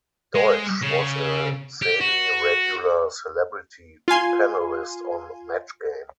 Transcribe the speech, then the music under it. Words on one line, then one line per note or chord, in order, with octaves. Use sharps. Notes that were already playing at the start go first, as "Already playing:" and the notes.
Deutsch was a semi-regular celebrity panelist on "Match Game".
G#3
C#3
G4
F#4
F4 F5 G#5 C6